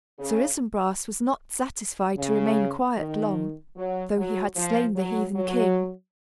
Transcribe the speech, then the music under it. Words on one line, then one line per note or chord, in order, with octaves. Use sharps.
Sir Isumbras was not satisfied to remain quiet long, though he had slain the heathen king.
C#3
C#3
D#3
F#3
F#3
F3
F#3
F#3